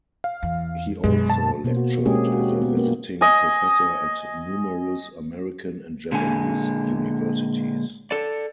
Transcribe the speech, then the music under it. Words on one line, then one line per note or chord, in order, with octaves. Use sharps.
He also lectured as a visiting professor at numerous American and Japanese universities.
F5
E2
F#2 B2 G#3
A5
B2 A#3 C5
F#4
G#3 A#3 C4 C#4 G4 G#4
F#4
B3
A#3
D#5 G#5
A#2 D3 G#3 G#5
A4 D5